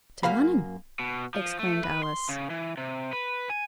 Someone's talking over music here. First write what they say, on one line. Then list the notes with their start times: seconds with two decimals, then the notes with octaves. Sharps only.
'To Lunnon!' exclaimed Alice.
0.23 F#2 A#3 F5 B5
0.99 B2
1.35 F3
1.59 A3
1.84 B4
2.03 C6
2.29 C#3
2.50 E3
2.78 C3
3.13 B4
3.50 G#5